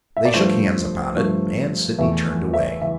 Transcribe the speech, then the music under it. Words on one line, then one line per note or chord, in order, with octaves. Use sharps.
They shook hands upon it, and Sydney turned away.
E5
D5
G2 F3 A3 C5
G2 F3 A3
E2 E3 A3 E5
E5
E3 E5